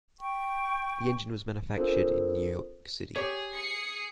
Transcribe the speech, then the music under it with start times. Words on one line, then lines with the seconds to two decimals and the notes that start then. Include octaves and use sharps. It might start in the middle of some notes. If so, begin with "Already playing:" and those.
The engine was manufactured in New York City.
0.20 G5 C#6
1.77 C4 D4 F4 A4 A#4 C5
3.16 G4 G#4 C#5
3.54 C7 C#7